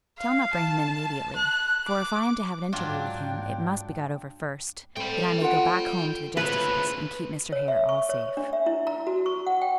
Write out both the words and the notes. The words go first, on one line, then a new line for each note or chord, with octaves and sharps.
"I shall not bring him in immediately; for if I am to have an interview with him, it must be got over first, that I may go back home to the justices, and keep Mr. Hare all safe."
F5
A5
F#6
D6
G#2 F#3 D4 F4 G5
A3 C4 G5 B5
F4 F#5
D2 C#3 F3 E4 B4
C#5
E5
C#6
C#5
D4
E5
E4
A#5
F#4
C#6
F#5
G5